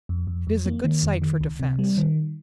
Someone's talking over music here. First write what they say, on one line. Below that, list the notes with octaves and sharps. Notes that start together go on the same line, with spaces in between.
It is a good site for defense.
F2
F2
F2
A#3
D#3
F2
D#3
C#2
C3
G3
D#3